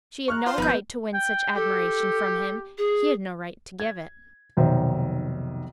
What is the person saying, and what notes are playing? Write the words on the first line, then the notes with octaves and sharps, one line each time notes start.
She had no right to win such admiration from him--he had no right to give it.
A#5 C#6 F6 F#6
F4 C5 C6
G#1 F3 B3 D#4 B4 B5 G6
G5
G4 A4
G#4
G#6
F1 B1 D#3 C5 E5